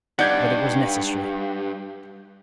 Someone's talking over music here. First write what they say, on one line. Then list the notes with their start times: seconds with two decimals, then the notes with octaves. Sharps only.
But it was necessary.
0.19 G2 D#4 D5 F#5 G6 G#6